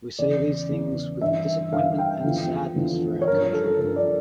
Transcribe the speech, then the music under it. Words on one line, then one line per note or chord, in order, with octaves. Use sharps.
We say these things with disappointment and sadness for our country.
E2 C#3 E3 D5
E2 C#3 E3
G2 E3 E5
G2 E3 F5
G5
E2 D3 F3
E2 D3 F3
C#5
G2 F3 A#4
A4
G2 F3 A#4
D5